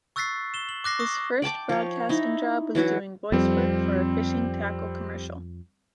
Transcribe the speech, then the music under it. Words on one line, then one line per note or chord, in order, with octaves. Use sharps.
His first broadcasting job was doing voice work for a fishing tackle commercial.
C#6 E6 F#6 A6 B6 C7
E7 G7
F#7
D6 F#6 A#6 C7
C#6 D#6 A#6
D5 G5 A5 D6
F3 C#5
D#4 E4
E3 F#3 E4 F#4
F2 G3 C4